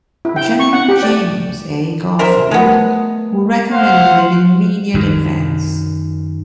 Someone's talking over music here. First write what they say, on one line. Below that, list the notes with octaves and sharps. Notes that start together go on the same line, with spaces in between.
General James A. Garfield, who recommended an immediate advance.
E4
G5
C#6
F#5
G4
D5
A#4 C5 E5
G#3 A3 B3 A#4 D#6
C5 F5 F#5
F#2 D#3